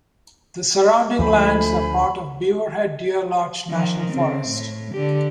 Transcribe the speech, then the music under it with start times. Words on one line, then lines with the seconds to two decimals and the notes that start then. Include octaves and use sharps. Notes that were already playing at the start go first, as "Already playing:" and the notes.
The surrounding lands are part of Beaverhead-Deerlodge National Forest.
1.19 D2 F3 A3 C5 G#5 B5
3.70 D#3 F3
4.13 C#3 C4
4.49 A2
4.92 D3 G4